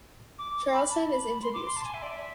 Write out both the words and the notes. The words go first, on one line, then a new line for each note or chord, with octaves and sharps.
Charleston is introduced.
D6
B5
A5
B5
C6
D6
C6
A5
G#5
E5
D5
E5